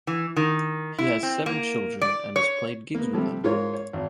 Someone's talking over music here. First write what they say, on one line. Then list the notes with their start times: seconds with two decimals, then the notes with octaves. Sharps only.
He has seven children, and has played gigs with them.
0.07 E3
0.36 D#3
0.99 E4
1.23 C4
1.46 A#3
2.02 D5
2.36 C#5
2.95 A#3 B3
3.13 C3 F3 G3 A3
3.44 G#2 F4 A#4 C#5
3.73 C#5
3.93 G#1